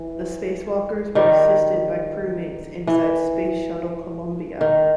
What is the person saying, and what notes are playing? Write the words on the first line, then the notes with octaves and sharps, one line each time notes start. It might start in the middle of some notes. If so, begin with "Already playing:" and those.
The space walkers were assisted by crewmates inside Space Shuttle "Columbia".
Already playing: E3
D#3 G3
E3
D#3